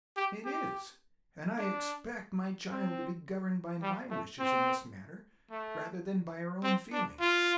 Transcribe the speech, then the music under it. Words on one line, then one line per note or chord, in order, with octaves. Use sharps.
"It is; and I expect my child to be governed by my wishes in this matter rather than by her own feelings."
G4
G4
D4
C4
G3
A3
C4
A3
C4
D4
F4